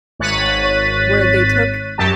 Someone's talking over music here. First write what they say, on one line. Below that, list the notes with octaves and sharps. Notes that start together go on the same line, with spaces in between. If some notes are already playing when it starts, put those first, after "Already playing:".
where they took
G#1 C#5 F#6 A6 B6 D#7
F#2 F#3 G4 A5